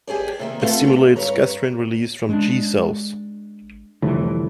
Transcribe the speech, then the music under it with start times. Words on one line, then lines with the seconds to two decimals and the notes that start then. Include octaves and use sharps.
It stimulates gastrin release from G cells.
0.07 G4 G#4 C#5 D5
0.39 C3 D#3 A#3
0.61 A3 B3 C4 F4 A4
0.85 D3
1.16 G2 B4 C#5 A#5
2.29 G#3 B3 D4
4.02 F1 C2 A2 D3 E3